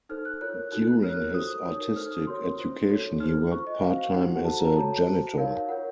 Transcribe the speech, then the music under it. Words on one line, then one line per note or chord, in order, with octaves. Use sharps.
During his artistic education, he worked part-time as a janitor.
D#4 A4 C5 F6
F#6
F4 A#4 C#5 F#6
D#4 F#4 A4 F#6
F#6
F4 A#4 C#5 F6
F#4 A4 C5 D#6
D#6
D#4 A#4 C#5
D#4 A4 C5 F6
D#6
F#4 A#4 C#5 C6
F4 C5
F#4 A4 C#5
D#4 A4 C5 F6
F4 C5 C#6
D#5
F#4 C5 F5
F5
D#4 F#4 C5 F#5
F#4 A4 C5 A5
A#5
F#4 A4 C#5 A5
F#4 C5
D#4 A#4 C#5 F5
F5
F4 A#4 C#5 F#5